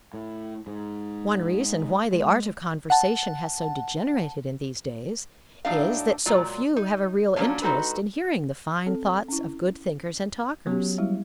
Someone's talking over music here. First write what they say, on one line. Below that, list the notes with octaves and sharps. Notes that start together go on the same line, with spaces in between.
One reason why the art of conversation has so degenerated in these days is that so few have a real interest in hearing the fine thoughts of good thinker and talkers.
A2
G#2
G#3
F#5 A5
A2 F#3 D4 D#4 D#5 F5
A#2 F#3 G#3 F4 D5
D#4
F3 F#3 A#3 B3 C#4 D4
G#3 D#4 F#4 A4 B4
C4 A4
C#4 E4
F#3 B3 C#4 G4
G3 G#3 E4